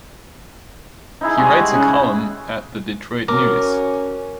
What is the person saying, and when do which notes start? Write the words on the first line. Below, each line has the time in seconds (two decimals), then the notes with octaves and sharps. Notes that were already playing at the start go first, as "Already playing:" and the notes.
He writes a column at "The Detroit News".
1.21 D#4 E4 G#4
1.37 G3 G#3 F#4 G#4
1.52 F#5
1.72 C#3 F#4
3.28 C#4 F#4 A#4 D6